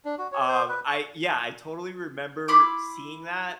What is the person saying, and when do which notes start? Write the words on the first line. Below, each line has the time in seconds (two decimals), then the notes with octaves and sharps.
um, I yeah, I totally remember seeing that,
0.05 D4
0.19 F#4
0.32 C#5
0.48 C5
0.69 B4
0.87 C#6
2.48 E4 B5 C6 D6